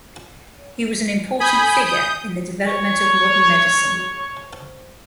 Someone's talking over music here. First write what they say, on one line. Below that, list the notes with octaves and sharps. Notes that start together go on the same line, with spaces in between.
He was an important figure in the development of modern medicine.
G#5 B5 D#6 G6
D#6 G6
C#5 C#6